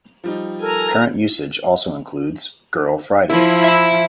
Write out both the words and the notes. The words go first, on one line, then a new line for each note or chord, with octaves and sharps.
Current usage also includes "Girl Friday".
F3 G3 D#4
A4 A#4 G#5 A#5
F3 E4
E5 B5